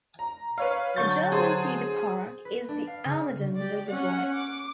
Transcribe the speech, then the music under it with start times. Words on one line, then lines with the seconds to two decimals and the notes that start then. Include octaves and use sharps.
Adjacent to the park is the Almaden Reservoir.
0.19 A#5
0.58 B4 C#5 F5
0.96 D3 F#3 C#6 G6 A6
1.32 G#4 C5
2.45 B4
2.68 D4
2.87 F5
3.05 C#3
3.56 G4 D5
3.89 C#4 F#5
4.34 D6